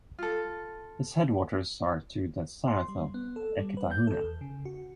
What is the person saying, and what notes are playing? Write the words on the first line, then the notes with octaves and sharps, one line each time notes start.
Its headwaters are to the south of Eketahuna.
F4 A4
C6
G3
B3
A4
G3
B4
G6
A4
E2
C#3
F#4